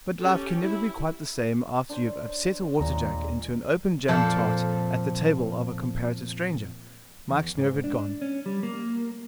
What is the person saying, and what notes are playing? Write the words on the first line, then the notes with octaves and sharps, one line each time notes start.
But life can never be quite the same after you have upset a water-jug into an open jam-tart at the table of a comparative stranger. Mike's nerve had gone.
C#4 G4 A4
E4
D4 C5 C#5
D#2 A#2 G#3 A#5
F2 A#2 F3 A4 C5 A5
E2
G#2
D4
C#4
G3
A#3